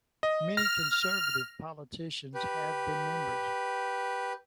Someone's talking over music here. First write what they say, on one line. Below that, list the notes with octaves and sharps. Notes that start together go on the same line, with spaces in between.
Many Conservative politicians have been members.
D#5
F6 A#6
G4 B4